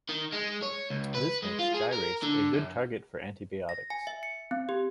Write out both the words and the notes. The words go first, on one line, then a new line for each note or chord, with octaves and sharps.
This makes gyrase a good target for antibiotics.
D#3
G#3
C#5
C#2
B4
G#3
F4
G#4
A#4
D3
F#2
A#6
G#5
E5
C#7
C4
G4